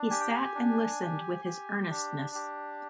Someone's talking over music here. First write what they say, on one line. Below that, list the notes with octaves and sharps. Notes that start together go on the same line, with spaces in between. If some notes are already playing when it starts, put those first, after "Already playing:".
He sat and listened with his earnestness.
Already playing: D4
G4 G#5
G5
G#5
D4
G4
G4
D4
G4